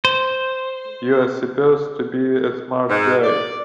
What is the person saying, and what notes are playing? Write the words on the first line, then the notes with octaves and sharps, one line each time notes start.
You're supposed to be a smart guy!
C5
G#2
D5